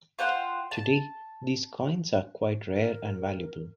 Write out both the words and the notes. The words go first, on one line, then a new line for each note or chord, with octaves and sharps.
Today these coins are quite rare and valuable.
F4 C5 F#5 G5
A5
A#4